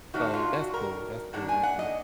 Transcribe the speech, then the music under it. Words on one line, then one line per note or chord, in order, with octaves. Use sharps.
So that's cool, that's cool, we can
F#2 D#3 F#3 D4 F#4
F4
F#4
A#4
D#3 A#3 D4 F#5
G#5
F#5
D#5